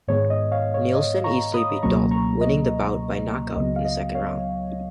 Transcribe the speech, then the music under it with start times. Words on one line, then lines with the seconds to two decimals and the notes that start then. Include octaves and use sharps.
Nielsen easily beat Dahl, winning the bout by knockout in the second round.
0.08 G#2 D#3 G#3 B3 C#5
0.30 D#5
0.52 C#5 F5
0.74 C#5
0.95 D#5
1.24 A#5 C#6
1.53 B5 D#6
1.83 C#2 B2 F#3 A#3 C#4 A#5 C#6
2.11 A#5 C#6
2.41 D#5
3.56 C#2 C#3 F#3 B3 D#5
3.76 F5
3.85 D#5
4.15 C#5 F5